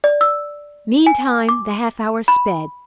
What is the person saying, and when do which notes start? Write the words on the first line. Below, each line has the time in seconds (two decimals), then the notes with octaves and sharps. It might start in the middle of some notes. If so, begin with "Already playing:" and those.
Meantime, the half-hour sped.
0.04 D5
0.21 E6
1.06 G#5
1.49 D6
2.28 B5